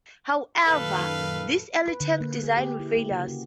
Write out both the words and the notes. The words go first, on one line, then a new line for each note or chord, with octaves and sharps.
However, these early tank designs were failures.
F#2 A#2 D#3 A4 B4 F5
B4
D3
A#3
G#4
G4
E4
A#3
C#3
F#4